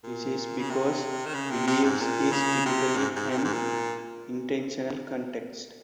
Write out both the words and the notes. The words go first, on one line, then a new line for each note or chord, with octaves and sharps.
This is because 'believes' is typically an intensional context.
A#2
C#3
C3
D#3
C#3
C3
C3
G#2
A#2
C#3
C3
G#2
G#2
C3
A#2
G#2
A#2